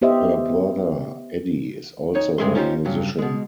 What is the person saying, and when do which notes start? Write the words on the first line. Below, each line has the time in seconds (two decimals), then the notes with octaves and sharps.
Her brother, Eddie, is also a musician.
0.02 B3 G4 C5 D#5 E5
2.15 D#4 C#5
2.38 G2 C#3 G#3 E5 C6
2.55 C#4 D#4 F4 G4 A4 C5
2.85 G2 C#3 F#3
3.19 B2 G#3